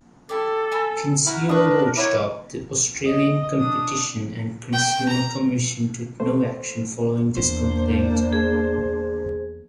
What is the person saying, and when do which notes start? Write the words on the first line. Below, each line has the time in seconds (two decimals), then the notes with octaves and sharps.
Consumer watchdog the Australian Competition and Consumer Commission took no action following this complaint.
0.29 E4 G4 A4 D5
0.72 G#5 A5 B5
1.27 E4 F#4 F#5 A#5 F6
1.49 D4 A#4 B4 C#6 D#6
1.97 D#4 E4 A#4 C#5 D5 F#5
3.04 D#5
3.57 D4 D#6
4.73 G5
5.09 A#5
6.20 A3 C5
7.37 E2 A#3 D4 C5
8.33 G#4